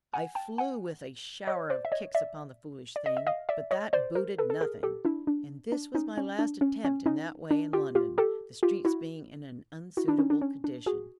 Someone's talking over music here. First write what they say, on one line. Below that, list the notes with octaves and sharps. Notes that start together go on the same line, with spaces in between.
I flew with a shower of kicks upon the foolish thing: but that booted nothing; and this was my last attempt in that way in London, the streets being in an unsuitable condition.
F#5 G#5
G5 A5
F#5 G#5
C#5 D#5
C5 D5
E5
C#5 D#5
D5 E5
D5
D#5
E5
D#5 F5
D5 E5
C#5 D#5
C5 D5
A#4 C5
A4 B4
A4
G#4 A#4
G4 A4
D4 E4
D4
D4
C#4 D#4
C#4
D4
C#4
C#4
C#4 D#4
D4
F4 G4
F4 G4
G4 A4
F4 G4
E4 F#4
E4 F#4
D4 E4
C#4 D#4
D4
C#4
D4
F#4 G#4